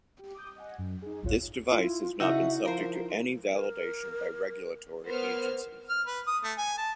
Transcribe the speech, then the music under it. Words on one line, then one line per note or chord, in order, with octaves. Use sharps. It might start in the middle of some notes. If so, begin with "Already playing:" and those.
This device has not been subject to any validation by regulatory agencies.
G4
D6 D#6 G6
D#5 F#5 G#5
F#2
D#4 G#4
G#1 D2 A2 F4 C#5 F#5
E4 F4
C#3 D#4 E4 F#4 E5
F3 A#4 C5 F5
D#4
A#4
B3 A#4 C5 F6
F6
B4
D#6
A3
G#5
A5